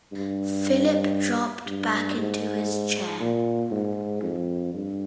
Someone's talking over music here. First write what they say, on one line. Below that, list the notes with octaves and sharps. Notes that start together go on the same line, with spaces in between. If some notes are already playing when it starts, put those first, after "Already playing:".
Philip dropped back into his chair.
G2
G2
G#2
A#2
G#2
F2
G2